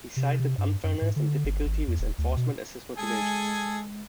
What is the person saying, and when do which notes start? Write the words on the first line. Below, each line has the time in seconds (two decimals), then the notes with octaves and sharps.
He cited unfairness and difficulty with enforcement as his motivations.
0.17 C3
0.40 C3
0.58 G2
0.84 F#2
1.01 G#2
1.16 D3
1.45 G1
1.66 G#1
1.88 E2
1.99 D#1
2.18 D2
2.37 B2
2.98 G#3 G#4 A4 G#5